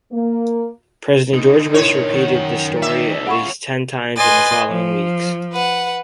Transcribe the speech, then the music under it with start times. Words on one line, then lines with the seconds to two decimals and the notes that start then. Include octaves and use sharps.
President George Bush repeated the story at least ten times in the following weeks.
0.12 A#3
1.34 D3 D#4
1.74 E4 A#4 C#5 C6
2.14 F#2 D#3 F#5
2.82 D#4 D5 E5
3.27 C#4 F4 F#5 B5 C#6
4.16 B4 D#5 G#5 C6 A6
4.70 F3
5.53 B4 F#5